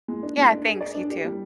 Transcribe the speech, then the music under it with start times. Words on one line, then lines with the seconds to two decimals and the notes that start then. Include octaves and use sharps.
Yeah, thanks, you too.
0.08 G#3
0.23 D4
0.37 G#3
0.52 D4
0.66 G#4
0.81 D5
0.95 D4
1.10 G4
1.25 G3